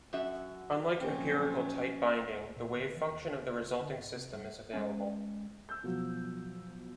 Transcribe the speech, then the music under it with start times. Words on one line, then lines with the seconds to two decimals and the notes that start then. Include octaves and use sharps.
Unlike empirical tight binding the wavefunction of the resulting system is available.
0.13 F#2 F#4 E5
1.00 A#2 F3 F#3 C4 C#4
2.34 C#2
2.56 A#2
2.75 D2
2.97 E3
3.11 D#2
3.27 C#2
3.63 C#2
3.81 D3
3.95 G#1
4.15 C3
4.33 G2
4.73 G#3 A#3 C#4
5.69 E6 G6
5.83 B2 F3 F#3 F#4